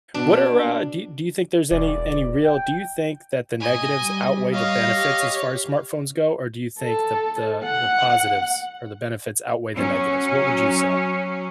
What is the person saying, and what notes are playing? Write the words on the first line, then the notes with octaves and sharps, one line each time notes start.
What are, uh do y do you think there's any any real do you think that the negatives outweigh the benefits as far as smartphones go, or do you think the the the positives or the benefits outweigh the negatives? What would you say?
B2 D4
E1 D5
G5
A2 D#5 G#5
G3
C#5 D#5 F5
G4
A4
F#5
F#3 C#4